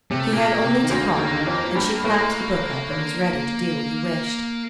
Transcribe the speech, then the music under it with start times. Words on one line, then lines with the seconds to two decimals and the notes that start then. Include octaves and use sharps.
He had only to call, and she clapped the book up and was ready to do what he wished.
0.11 C3 A3
0.32 A#2 A#3
0.61 C3
0.82 D#3
0.90 D2 D3
1.18 D#2 D#3
1.31 D3
1.39 D#3
1.47 F2 F3
1.64 F3
1.75 G2 G3
2.04 A2 A3 A#3
2.90 D3 D4